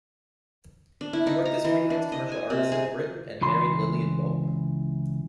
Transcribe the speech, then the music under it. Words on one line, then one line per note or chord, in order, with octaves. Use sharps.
He worked as free-lance commercial artist in Britain, and married Lillian Welbourn.
D4
E4
D#4
A#5
E3
D4
D#5
G#5
C3
G#4
C#2 E3 B5 C6